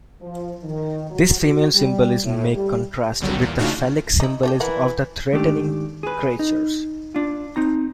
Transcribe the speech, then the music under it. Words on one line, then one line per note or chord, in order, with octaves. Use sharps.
This female symbolism may contrast with the phallic symbolism of the threatening creatures.
F3
D#3
F#3
F#4
G3
A2
G3
G#1 C#2 D3 F#3 G3
E2 A#2
C#3 A3 D4 D#4 F4 F#4
D#4 E4
A3 D4 F4 G4
E3 A#4 F#5
G#2 D#3 A3 D4 G4
G#4 B4
D#4
D4 F4
C4 D#4 A#5